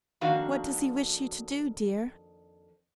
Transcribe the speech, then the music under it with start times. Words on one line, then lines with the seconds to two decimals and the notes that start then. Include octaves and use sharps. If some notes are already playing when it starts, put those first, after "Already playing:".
'What does he wish you to do, dear?'
0.21 F2 D#3 A#3 D4 F#4 F5